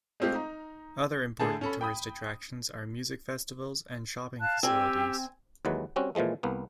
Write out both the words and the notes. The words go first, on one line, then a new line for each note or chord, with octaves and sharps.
Other important tourist attractions are music festivals and shopping facilities.
G#3 A3 C4 F4 G4 F5
D#4 A#5
A2 D3 G#4 A4 A5
C#4 A4 B5
G5 B5 D#6
F5 A5 F#6
C4 G4 G#5 E6
D#2 E3 F#3 G#3 B4
G3 C4 C#4 F#4
A#2 E3 F3 G#3 A3
C2 A#3 B3